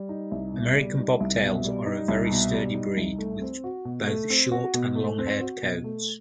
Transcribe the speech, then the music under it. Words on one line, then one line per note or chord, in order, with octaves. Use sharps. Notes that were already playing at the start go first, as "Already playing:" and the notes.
American Bobtails are a very sturdy breed, with both short- and long-haired coats.
Already playing: G3
D#4
C2
B2
G3
D#4
C2
B2
G3
D#4
C2
B2
G3
D#4
C2
A3
C4
F#4
B2
A3
C4
F#4
B2
A3
C4
F#4
B2
A3